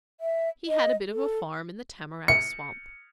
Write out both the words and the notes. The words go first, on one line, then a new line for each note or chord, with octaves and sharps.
He had a bit of a farm in the tamarack swamp.
E5
D#5
A4
C#7